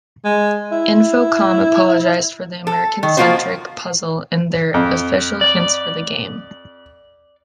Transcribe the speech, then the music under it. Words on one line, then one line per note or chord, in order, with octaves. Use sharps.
Infocom apologized for the American-centric puzzle in their official hints for the game.
G#3
E4
A4
D#3
F3 G#3 A#3 F4 F#4 C5
F2
D5